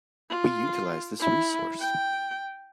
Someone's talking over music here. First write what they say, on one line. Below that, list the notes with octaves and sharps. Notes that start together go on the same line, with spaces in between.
We utilize this resource.
F4
E4
G5